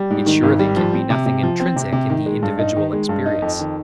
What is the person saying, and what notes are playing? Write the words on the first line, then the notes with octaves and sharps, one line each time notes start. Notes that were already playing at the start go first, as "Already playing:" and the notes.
It surely can be nothing intrinsic in the individual experience.
Already playing: G3
G#2
D#3
G#1
G3
F3
C4
C3
C3
F3
C4
C3
C3
D#3
G#3
G2
D#4
D#3
G#3
G2
D#4
F2
D#3